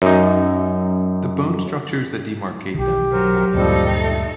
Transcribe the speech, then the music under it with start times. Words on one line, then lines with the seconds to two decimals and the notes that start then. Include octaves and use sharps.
The bone structures that demarcate them are called orbits.
0.02 F#2 D#4
2.75 B1 D#3 G4
3.12 F#3 A#4 C5
3.54 D2 G2 A#2 F3 G3 C4 D#4 A4
3.98 A3